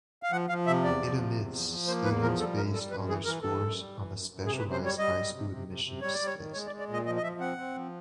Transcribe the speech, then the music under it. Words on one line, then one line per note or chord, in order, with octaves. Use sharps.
It admits students based on their scores on the Specialized High Schools Admissions Test.
F5
F3 F#5
F3 F5
C3 E5
E2 D5
F3
C3
E2
F3
F3
A#3 C5
E2 B4
F3 A#4
G3 A4
F#2 A#4
G3 A4
F#2 B4
E3 G#4
E3 A#4
E3 A4
F#2
G3
E3
F#2
F#2
C3 G#4
B4
C3
C5
G3 C#5
G3 D#5
G3
C3
C3
C3
C3
G3 C#5
D5
G3
C#5
D#3
G#3 C#5
D5
G#3
D5
A#2 D#5
F3 D#5
D#5
F3 E5
C4 F#5
C4
F3